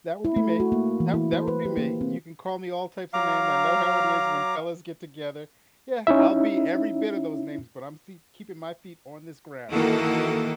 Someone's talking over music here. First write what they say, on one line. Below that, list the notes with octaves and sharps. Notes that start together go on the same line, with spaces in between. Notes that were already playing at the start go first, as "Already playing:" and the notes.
That would be me. That that would be me. You can call me all types of names, I know how it is when fellas get together. Yeah, I'll be every bit of those names, but I'm see keeping my feet on this ground.
E4
A3
F#4
A#3
E3
E4
C5
B4
G4
A#3
C4
F#3 F5 A#5 D6
C#4 D#4 E4 E5
D#3 E3 A#3 E4 F#4 A4